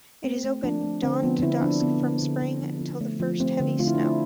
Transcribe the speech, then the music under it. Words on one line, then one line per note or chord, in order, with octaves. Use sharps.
It is open dawn to dusk from spring until the first heavy snow.
A3 C4
A3
F3 D4
A3
D3 C4
F3 B3
D3 E4
F3 D4
D3 B3
D3
D3
D3
F3
F3
A3
F3
A3 C4
D3
A3 F4
E4
D4
A3 E4